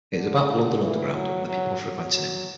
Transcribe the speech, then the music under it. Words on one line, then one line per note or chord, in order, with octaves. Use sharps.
It is about the London Underground and the people frequenting it.
D3
E3
F#3
F#3
F#3
F#3